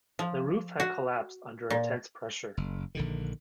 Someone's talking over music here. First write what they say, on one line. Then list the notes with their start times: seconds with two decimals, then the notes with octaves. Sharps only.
The roof had collapsed under intense pressure.
0.19 F3
0.80 F#4
1.70 A#2
2.57 F#1
2.95 A#1 D3 D#3